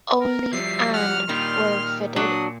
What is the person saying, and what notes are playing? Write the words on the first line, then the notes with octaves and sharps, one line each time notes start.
Only and were fitted.
A#4
F3 G3 E5 C7
F#5 F6
A#2 D#3 G3 C6
F#3 D4 D#6